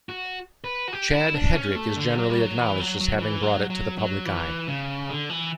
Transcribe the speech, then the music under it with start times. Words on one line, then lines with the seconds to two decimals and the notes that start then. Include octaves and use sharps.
Chad Hedrick is generally acknowledged as having brought it to the public eye.
0.09 F#4
0.64 B4
0.88 F#4
0.93 G4
1.13 E4
1.35 D4
1.55 C#4
1.76 A3
1.97 D3
2.17 F#3
2.30 G3
2.39 F#3
2.59 E3
2.80 F#3
3.01 F#3
3.18 F#3
3.21 E3
3.43 F#3
3.70 F#3
3.98 F#3
4.26 E3
4.68 C#3
5.09 D3
5.29 E3